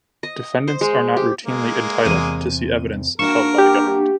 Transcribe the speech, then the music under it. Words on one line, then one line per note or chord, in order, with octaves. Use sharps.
Defendants are not routinely entitled to see evidence held by the government.
D#5
C5
G#3
G4
G#3 A#3
E2 C3 D#7
A#3 D4 F#4 A#4 C#6 E7
G4